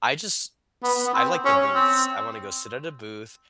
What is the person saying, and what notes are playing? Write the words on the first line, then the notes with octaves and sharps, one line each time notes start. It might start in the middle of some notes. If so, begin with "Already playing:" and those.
I just s I like the booths, I wanna go sit at a booth.
B3
B3
C4
C#4
C4